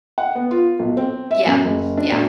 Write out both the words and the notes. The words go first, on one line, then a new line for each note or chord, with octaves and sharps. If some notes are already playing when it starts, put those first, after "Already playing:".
Yeah, yeah.
F#5
B3
F4
B1
C4
E5
F#2
F#1
D4
D2